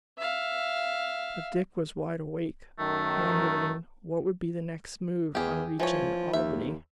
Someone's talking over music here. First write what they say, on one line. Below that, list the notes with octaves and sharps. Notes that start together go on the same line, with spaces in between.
But Dick was wide awake, wondering what would be the next move on reaching Albany.
E5 F5
F#2 D#3 A3
E2 G4 G#4
E3 F3 C#5
D#2 E5